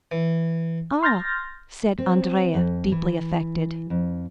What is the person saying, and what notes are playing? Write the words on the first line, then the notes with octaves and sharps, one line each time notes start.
"Ah," said Andrea, deeply affected.
E3
C6 F6 G6 A6 A#6
C4
F2
E3
F2